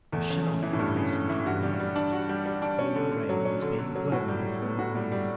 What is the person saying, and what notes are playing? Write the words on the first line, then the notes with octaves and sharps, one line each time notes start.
A shower had recently commenced,--the falling rain was being blown before the breeze.
E2 A3
C#3
C#3
E3
A2
G2 A3
C#3
C#3
E3
G2 F#4
G3
G3
D4
F#4
G3
G3
D4
C#4
D3
D3
F#3
C#4
D3
D3
F#3
A2 F#4
G3
G3
B3
A2 F#4
G3
G3